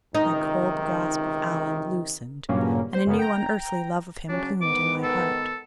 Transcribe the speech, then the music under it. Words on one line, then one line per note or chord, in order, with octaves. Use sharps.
My cold grasp of Allan loosened and a new unearthly love of him bloomed in my heart.
C#2 C3 D#3 D#4
G2 A#2 C#3 F#3 A#3 C#4
C5 C6
F#2 C#3 A#3 B3
G5 A#5
C#3 F#3 C#4 D4
G#2 D#3 B3 D6
A4